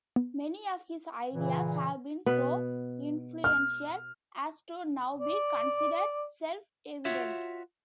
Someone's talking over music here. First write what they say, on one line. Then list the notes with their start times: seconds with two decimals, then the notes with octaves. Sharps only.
Many of his ideas have been so influential as to now be considered self-evident.
0.16 B3
1.33 A#2 C#3 E3
2.26 B2 B3 B4
3.44 F6
5.20 D5
7.05 F4 F#4 C#5 E5